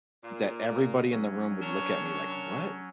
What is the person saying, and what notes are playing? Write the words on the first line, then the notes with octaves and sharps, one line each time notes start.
that everybody in the room would look at me like, "What?"
A#2 A#3
F#3 C#4
D4 A#4 C#5